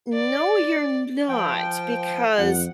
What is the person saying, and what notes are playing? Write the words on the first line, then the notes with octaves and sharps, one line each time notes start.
"No, you're not, because
D5
F3 G5
F2 F#5